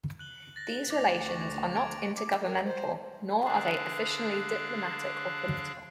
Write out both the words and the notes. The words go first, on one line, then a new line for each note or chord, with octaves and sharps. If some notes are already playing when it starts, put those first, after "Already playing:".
These relations are not inter-governmental nor are they officially diplomatic or political.
F#6 F#7 G7
A6 A#6
D2 D6 A#6 F7
C#6
G#6 D7
D6
A#4
C5
D3 D4 G#4 F5 F#6